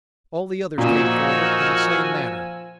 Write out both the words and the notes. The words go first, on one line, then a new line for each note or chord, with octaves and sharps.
All the others came forward in the same manner.
A#2 F3 D#4 F#4 A#4 G#5 E6